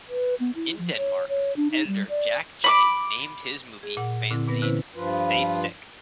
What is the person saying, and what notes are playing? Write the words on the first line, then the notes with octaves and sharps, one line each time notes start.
In Denmark, editor Jack J named his movie fanzine Stay Sick!
B4
B3
E4
F3
C#5
C#5
D4
D#4
G3
D5
B5 C#6 D6
G#4
A#2 F#5
A#2 D3 C4 E4
A#2 B3 B4 A#6
D3 E3 C#4 E4 B4 C5
G2 F3 F4 B4